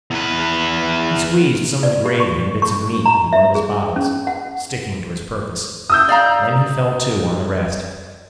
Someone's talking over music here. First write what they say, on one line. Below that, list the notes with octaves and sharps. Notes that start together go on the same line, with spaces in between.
He squeezed some of the gravy and bits of meat into one of his bottles, sticking to his purpose; then he fell to on the rest.
E2 B4
D5
G4
C#6
C#6
A#5
E5
G#4
C#4
F#5
D#6 E6 G6
D5 F5 A#5